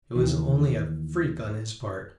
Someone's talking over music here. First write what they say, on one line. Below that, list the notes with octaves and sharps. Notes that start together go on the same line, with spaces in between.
It was only a freak on his part.
D#2 D#3 E3